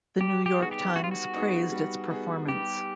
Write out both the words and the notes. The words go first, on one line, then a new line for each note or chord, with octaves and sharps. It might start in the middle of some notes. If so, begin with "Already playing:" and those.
The New York Times praised its performance.
G3 G4
G4
B3 D#4 F#4 G#4
G4
G3 F#4
F4
F#4
B3 D#4 G#4
G3
B3 D#4 G#4
G3 G4